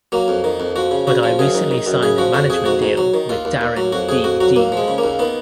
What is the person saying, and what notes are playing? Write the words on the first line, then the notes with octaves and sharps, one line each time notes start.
But I recently signed a management deal with Darrin 'Dee' Dean.
F#3 A#3
F2
D#3
F2
F3 F#4
C#3
C#3 F#4
F3
F#2 G#4
D#3
D#3
F#2
C#3 G#4
F3 F#4
F2 F#4
F2 G#4
G#2 F#4
G#2
F#3
D#3
D#2 F4
D#2
D#2
F#3
F2 F#4
F2 G#4
F2 F#4
F#3 F#4
D#2 A#3
F3 G#3
C#3
A#3
D#2
D#3 B3